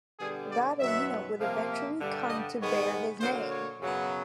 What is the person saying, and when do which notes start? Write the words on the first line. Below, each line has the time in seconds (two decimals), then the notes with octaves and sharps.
That arena would eventually come to bear his name.
0.19 D3 G3 B3 G#4
0.50 D5
0.80 F#2 D#3 F#3 B3 E5
1.40 C3 F3 A#3
1.71 E5
2.00 G2 D3 G3
2.30 D#5
2.60 G#2 D#3 G#3 B3 C#5
3.20 D3 F#3 A#3 C5
3.50 C#5
3.80 F#2 C#3 F#3 B3